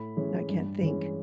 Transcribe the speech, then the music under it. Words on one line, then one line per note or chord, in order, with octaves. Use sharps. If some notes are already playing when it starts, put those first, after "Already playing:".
I can't think.
Already playing: A2 B5
E3 G#3 C#4
G2
E3 G#3 C#4